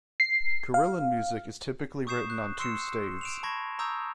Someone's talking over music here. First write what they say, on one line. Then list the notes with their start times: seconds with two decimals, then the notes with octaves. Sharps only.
Carillon music is typically written on two staves.
0.20 C7
0.74 F5
2.07 C#6 D#6 G6 C7 E7
2.30 F#6
2.59 C6 E6 C7 C#7 E7
3.21 D7 E7 F7
3.43 A5 B5 C#6 G#6 A#6
3.79 A#5 C#6 D#6 E6 G6